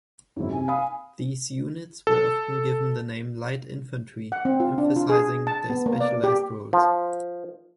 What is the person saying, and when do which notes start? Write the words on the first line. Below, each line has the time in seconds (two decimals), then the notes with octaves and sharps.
These units were often given the name "light infantry", emphasising their specialised roles.
0.36 G#1 F#2 E4
0.52 C3 G#5
0.68 F5 B5 D#6
2.07 A4
4.32 F#5
4.45 C4
4.60 F4
4.78 D4
4.96 F4
5.09 G#4
5.47 A5
5.70 B3
5.86 A#3
6.00 D5
6.24 G4
6.73 F3